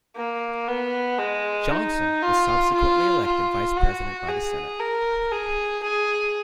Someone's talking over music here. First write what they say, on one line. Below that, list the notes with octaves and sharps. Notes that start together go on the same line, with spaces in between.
Johnson was subsequently elected Vice President by the Senate.
A#3
B3
G#3
D#4
F4
F4
F4
F#4
G#4
A#4
G#4
G#4